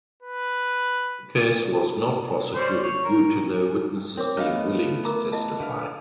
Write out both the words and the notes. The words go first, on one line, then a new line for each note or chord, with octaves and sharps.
The case was not prosecuted due to no witnesses being willing to testify.
B4
C#4 C5 D5
C#5
A#4
C4 A#4 C#5 D6
A3 B3 D4 D#5 F5 F6
A#4 A#5 D6
E4 D#5 A5
D3 B4 F5